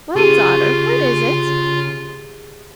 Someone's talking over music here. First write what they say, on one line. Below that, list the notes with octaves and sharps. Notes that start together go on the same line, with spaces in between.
"Well, daughter, what is it?"
C#3 F4 G4 G#4 D#7